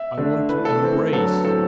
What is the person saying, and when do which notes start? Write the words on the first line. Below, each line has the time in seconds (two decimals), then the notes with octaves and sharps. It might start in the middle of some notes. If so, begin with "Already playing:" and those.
I want to embrace.
Already playing: E5
0.17 D3 A3 D4
0.49 E3 A3 D4 B4
0.65 A4
0.81 E3 A3 C4
1.13 D3 F#3 B3 A4
1.45 A2 F#3 C4 A4